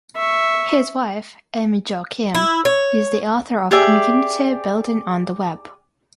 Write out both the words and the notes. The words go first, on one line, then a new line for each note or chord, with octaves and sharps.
His wife, Amy Jo Kim, is the author of "Community Building on the Web".
E5 C#6
E4
C#5
G4 G#4 D5 E5